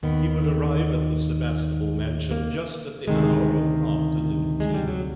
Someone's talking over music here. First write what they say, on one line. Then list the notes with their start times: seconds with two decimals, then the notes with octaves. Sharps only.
He would arrive at the Sebastable mansion just at the hour of afternoon tea.
0.03 D#2 D#3 B3
2.31 A#3
3.08 D2 C3 D#3 G#3
4.60 G#3
4.74 G3
4.87 F#3